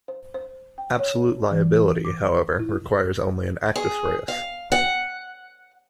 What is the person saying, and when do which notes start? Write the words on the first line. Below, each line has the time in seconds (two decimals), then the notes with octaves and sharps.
Absolute liability, however, requires only an "actus reus".
0.08 C5
0.34 C5
0.78 G5
0.99 C#5
1.51 E3
2.05 D6
2.59 E4
3.76 G#4
4.28 F5
4.72 F#5